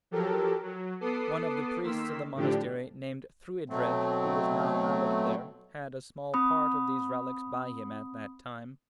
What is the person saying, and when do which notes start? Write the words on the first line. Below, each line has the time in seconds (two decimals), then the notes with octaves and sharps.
One of the priests of the monastery, named Thruidred, who is now abbot there, had a small part of these relics by him at that time.
0.11 F3 F#3 G4 A4 A#4
0.62 F#3
1.01 B3 A4 D6 D#6 C7
1.83 D#3 A#3 C6 E6 B6
2.35 A2 D3 F3 D4 G4
3.70 B2 F#3 A3 C4
6.34 C4 B5 D#6